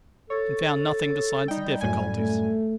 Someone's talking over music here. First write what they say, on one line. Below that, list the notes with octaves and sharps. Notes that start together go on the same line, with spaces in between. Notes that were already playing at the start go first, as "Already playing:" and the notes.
'And found nothing besides the difficulties?'
A4 C#5
G3 D#4 G5
F#2 A2 G#5
A3